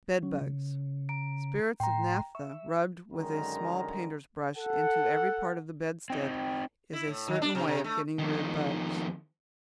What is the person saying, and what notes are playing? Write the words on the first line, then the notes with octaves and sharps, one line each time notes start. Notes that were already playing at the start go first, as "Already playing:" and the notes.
Bed Bugs.--Spirits of naphtha rubbed with a small painter's brush into every part of the bedstead is a certain way of getting rid of bugs.
F#3 C#4
C#3
A#5 D7
A2 G5 A#5 C6
E5 C#6
F#2 D3 D#3 G#3 A#4 A#5
A4 F#5
C4 D#4 G5
G5
E4
A2
D#3
D4
C3
C3
A3
F2 D#3